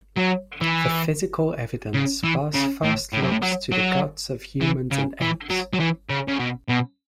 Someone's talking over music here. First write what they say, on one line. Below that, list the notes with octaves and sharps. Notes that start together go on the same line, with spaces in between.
For physical evidence Buss first looks to the guts of humans and apes.
F#3
E3
C#3
E3
C#3
A2
A2
F#2
A2
F#3
F#3
E3
C#3
E3
F#3
F#3
E3
C#3
C#3
B2
B2